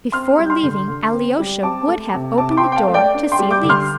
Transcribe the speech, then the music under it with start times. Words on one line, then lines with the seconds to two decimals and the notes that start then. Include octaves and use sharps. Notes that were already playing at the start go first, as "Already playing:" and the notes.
Before leaving, Alyosha would have opened the door to see Lise.
0.12 C4 C6 F6
0.38 G3
0.45 G6
0.50 C6 F6
0.63 D3
0.88 D3
1.13 C4
1.39 G3
1.63 C4 A5 D6
1.88 A3
2.14 C3
2.38 C3 A5 D6
2.51 D6
2.57 G5 C6
2.64 C4
2.72 G5
2.76 F5 A5
2.88 A3
2.94 D5 G5
3.14 D4
3.32 G5 C6
3.39 G3
3.51 D6 G6
3.63 D3
3.70 C6 F6